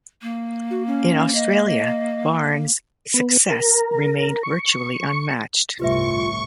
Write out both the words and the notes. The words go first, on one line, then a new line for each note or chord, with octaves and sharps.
In Australia, Barnes' success remained virtually unmatched.
A#3
F#4
C#4
D#5
B3
A#4
C#6
G1 C2 A2 F4 G4 B4 E5 C#6